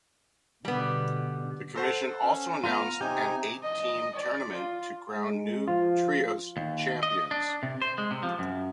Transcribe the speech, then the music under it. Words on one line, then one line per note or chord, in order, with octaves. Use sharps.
The Commission also announced an eight team tournament to crown new trios champions.
B2 D3 G3 B3
A4 C5 F#5
C#4
B3 F4 A#5 F6 D#7
C3 D#4 G4 G#5 G6
D#5
D5
F4
G#3
F3 F4
D#2
D#5
D4
C3
C5
G#3
C3
F3
F#2